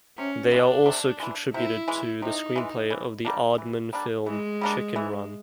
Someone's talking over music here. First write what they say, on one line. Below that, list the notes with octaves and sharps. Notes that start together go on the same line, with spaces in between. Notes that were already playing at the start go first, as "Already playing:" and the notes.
They are also contributed to the screenplay of the Aardman film "Chicken Run".
C3 C#4
E3 G#3 D4
C3
E3 G#3
C3 E4
E3 G#3
C3 D#4
E3 G#3
E3
G3 A#3 D4
E3
G3 A#3 D4
E3 G#3
G3 A#3 D4
E3